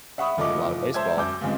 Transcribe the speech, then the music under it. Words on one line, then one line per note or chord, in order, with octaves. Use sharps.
That's a lotta baseball.
E5 F#5 B5 C#6 D#6
F#1 F3 A3 D#5 D6
C5 E5 A5 E6 G#6
F#2 D6 G6
G2 C#3 F3 G#3 C4